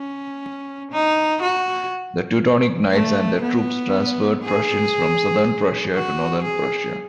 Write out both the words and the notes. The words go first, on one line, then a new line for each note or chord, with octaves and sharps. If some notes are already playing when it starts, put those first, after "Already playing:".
The Teutonic Knights and their troops transferred Prussians from southern Prussia to northern Prussia.
Already playing: C#4
D#4
F#4
A3
B3
G#4
F#4
G#4